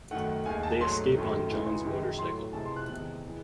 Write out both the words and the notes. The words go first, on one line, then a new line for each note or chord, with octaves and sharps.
They escape on John's motorcycle.
F#2 D#3 A3 F#5
D#2 D#3 G#3 G#5
A5
G#2 F#3 A3 C6
F#2 D#3 A3
C#2 C#3 E3 G#3
F#2 D#3 G#3
A2 F#3 A3 C6
C#2 C3 E3 G#3 A5
C6
F#6
E2 C3 D#3 G#3 F#6
E3 G#3